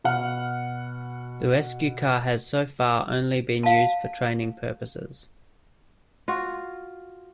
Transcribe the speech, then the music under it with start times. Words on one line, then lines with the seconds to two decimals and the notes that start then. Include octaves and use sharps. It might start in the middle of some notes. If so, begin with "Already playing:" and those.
The rescue car has so far only been used for training purposes.
0.04 B2 F#5 F6
3.63 F5 A5
6.28 F4 F#4